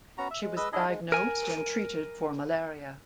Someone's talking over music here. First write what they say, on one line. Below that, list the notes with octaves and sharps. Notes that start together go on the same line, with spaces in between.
She was diagnosed and treated for malaria.
B3 C#4 F#4 A#5
E5
G#3
G#3 B4 D#5 E6
D4 E4 G#4 D#5
G#3
A#4 G#5